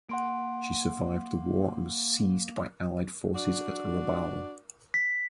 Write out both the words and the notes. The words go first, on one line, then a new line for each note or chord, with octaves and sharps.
She survived the war and was seized by allied forces at Rabaul.
A#3 F#5 C6 D7
D4 F#4 D5
B6